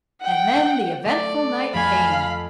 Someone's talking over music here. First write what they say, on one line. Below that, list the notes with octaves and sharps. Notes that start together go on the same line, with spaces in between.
And then the eventful night came.
F#5 G5
A3 D5
F2 A3 F5 G#5 B5